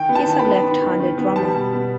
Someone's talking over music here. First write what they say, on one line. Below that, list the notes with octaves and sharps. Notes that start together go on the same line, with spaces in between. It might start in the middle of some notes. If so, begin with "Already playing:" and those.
He is a left-handed drummer.
Already playing: D#3 G5
B3
A5
D#3
B5
B3
D#3
D#3
D#3
B3
G3 A5
B2
B3